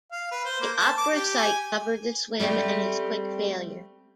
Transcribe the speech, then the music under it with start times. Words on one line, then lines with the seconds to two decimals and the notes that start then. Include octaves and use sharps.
The Opera site covered the swim and his quick failure.
0.12 F5
0.32 B4
0.45 C5
0.61 A#3
0.78 A5
0.97 D6
1.12 G4
1.37 G#5
2.40 G3 A3 C4 G4